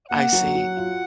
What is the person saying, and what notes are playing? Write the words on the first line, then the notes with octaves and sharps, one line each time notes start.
I see.
A#3 F#5
F#3
F#3
F4